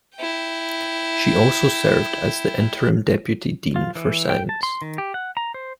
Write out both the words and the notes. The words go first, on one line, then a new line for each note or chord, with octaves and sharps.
She also served as the interim deputy dean for science.
E4 G5
F4
E3
G5
A5
C6
D#3
G4
F#5
A#5
C5